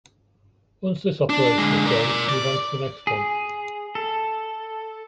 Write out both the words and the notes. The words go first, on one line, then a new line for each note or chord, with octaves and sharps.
Once this operation is done, move on into the next one.
D4
D3 G#3
A#4 D5
D5
G#4
A4